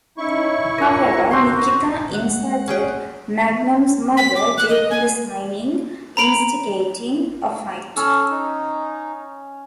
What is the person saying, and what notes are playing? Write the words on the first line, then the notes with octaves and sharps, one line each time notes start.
However, Nikita insulted Magnum's mother during the signing, instigating a fight.
C#4 D#4 E4 C#6
C#3 F4 A#4 D#5 F#5
B3 C4 D#4 F#4 A#4 C6
G#3 A#3 E5 F#5
C#4 G#4 G5
B6
D6
F#6
D#5
G#5
A#5 B5 D7 F#7
C#4 A4 E6
D#4